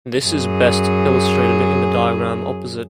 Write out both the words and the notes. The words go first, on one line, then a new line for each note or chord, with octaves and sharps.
This is best illustrated in the diagram opposite.
F#2 G#4